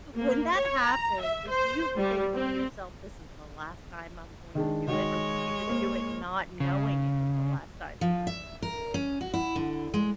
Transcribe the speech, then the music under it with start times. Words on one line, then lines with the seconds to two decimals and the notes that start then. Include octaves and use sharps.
when that happened, did you think to yourself, "This is the last time I'm going to do it," or did you just do it not knowing it was the last time you were going to do it?
0.16 A#3
0.55 C#5
0.83 A#5
1.20 E5
1.50 C5
1.98 G3
2.34 C4
4.55 D#3 G#3 D4
4.88 D#3 G#3 F#4 C#5
5.68 A#3 C5
6.60 C#3
8.01 F3
8.27 E5
8.62 A#4
8.94 C#4
9.21 F#4
9.34 E4
9.56 D3
9.94 G#3